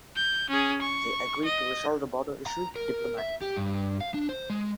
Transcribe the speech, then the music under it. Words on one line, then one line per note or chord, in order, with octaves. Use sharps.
They agreed to resolve the border issue diplomatically.
G6
C#4 G#4
C#6
D#5
A#5
A#4
E5
G4
G2
F5
D4
C5
G#3